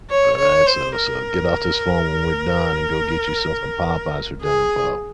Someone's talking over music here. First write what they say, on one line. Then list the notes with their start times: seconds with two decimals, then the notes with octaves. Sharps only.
Alright, so so, get off this phone when we're done and go get yourself some Popeyes for dinner, Bo.
0.10 C#5
0.38 C#5
0.67 C5
0.97 A#4
4.43 G#4